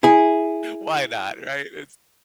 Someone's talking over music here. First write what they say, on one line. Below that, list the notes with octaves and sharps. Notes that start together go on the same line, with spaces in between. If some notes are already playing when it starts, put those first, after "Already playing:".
why not, right? It's
E4 G#4